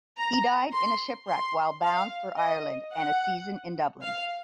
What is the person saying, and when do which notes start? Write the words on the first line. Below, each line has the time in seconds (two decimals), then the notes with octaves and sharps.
He died in a shipwreck while bound for Ireland and a season in Dublin.
0.18 A#5
0.73 C6
1.28 C6
1.82 F5
2.37 D#5
2.93 F#5
4.02 F5